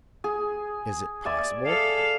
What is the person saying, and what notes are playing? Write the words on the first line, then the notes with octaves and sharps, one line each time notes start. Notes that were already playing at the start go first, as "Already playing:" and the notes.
"Is it possible?"
G#4
D5 E5 G#5
A4 F5